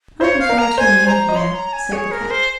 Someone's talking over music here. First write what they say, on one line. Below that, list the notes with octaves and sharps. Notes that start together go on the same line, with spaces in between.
"I prefer to remain here," said the cat.
C5 C#5
F5
A#4
A#5
C5 G#5
C5 A#5
D#5
C#5 C6
A#5
G#5
G#4 C#5
A#4
C5